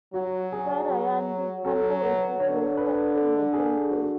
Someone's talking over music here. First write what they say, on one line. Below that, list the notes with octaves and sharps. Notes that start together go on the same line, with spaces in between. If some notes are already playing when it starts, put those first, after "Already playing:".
Sadayandi Temple is situated in the hill caves.
F#3 F#4
G#4
F#3
F#3 A4
A4
B4
D3 C#5
B4
A4
G#4
F#4